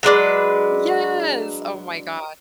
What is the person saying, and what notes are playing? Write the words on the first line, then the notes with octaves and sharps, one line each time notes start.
Yes, oh my gosh.
F#3 G#3 D4 B4